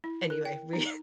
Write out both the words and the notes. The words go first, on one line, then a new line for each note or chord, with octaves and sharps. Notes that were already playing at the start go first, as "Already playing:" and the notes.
Anyway, we
E4
A#4
G5
D#4